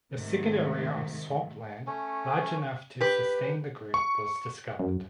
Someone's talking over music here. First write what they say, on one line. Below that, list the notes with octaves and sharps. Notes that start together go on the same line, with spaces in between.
The second area of swampland large enough to sustain the group was discovered.
G#2 C3 D#3 A3
A3 C#4
G4 B4
C#6
F#2